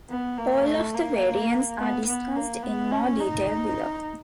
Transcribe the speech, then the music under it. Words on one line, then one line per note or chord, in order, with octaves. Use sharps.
All of the variants are discussed in more detail below.
B3
A#3
A3
A#3
B3
B3
A#3
B3
C#4
D#4